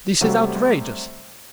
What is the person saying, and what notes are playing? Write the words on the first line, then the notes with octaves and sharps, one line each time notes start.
This is outrageous!
C3 F#3 G3 A3